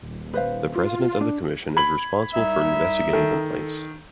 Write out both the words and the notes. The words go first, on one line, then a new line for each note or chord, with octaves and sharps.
The President of the Commission is responsible for investigating complaints.
D#1
B4 C5 F5
F4
D4
B5 G#6 F#7
C2 D#4 E5
D#3 A4